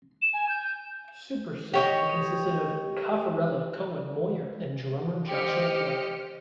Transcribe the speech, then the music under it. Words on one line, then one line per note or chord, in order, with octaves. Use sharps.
Supersystem consisted of Cafarella, Cohen, Moyer, and drummer Joshua Blair.
E7
G#5
G6
G4 C#5 D#5
G4 C5 D#5 F6 C#7